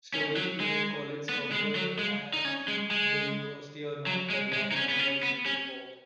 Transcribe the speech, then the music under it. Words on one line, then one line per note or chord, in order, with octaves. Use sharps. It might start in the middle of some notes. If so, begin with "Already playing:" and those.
Storey played college soccer at the University of North Carolina, where he played forward.
C#4
F#3
G#3
B3
G#3
F#3
G#3
D#4
C#4
G#3
G#3
F#3
G#3
G#3
D#4
C#4
B3
C#4
B3
C#4